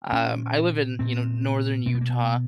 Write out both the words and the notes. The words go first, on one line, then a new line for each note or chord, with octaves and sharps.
um, I live in, you know, northern Utah,
A#2 C#4
A#2 C4
B2 C4
B3
A#3
B3